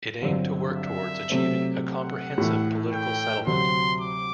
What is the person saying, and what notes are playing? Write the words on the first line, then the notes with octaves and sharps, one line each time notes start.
It aimed to work towards achieving a comprehensive political settlement.
G2 D3 F#3 C4
E5
C3 F#3 A3 C4
F#5
A2 E3 A3
G5
D2 C3 F#3 C4 F#4 C6
D6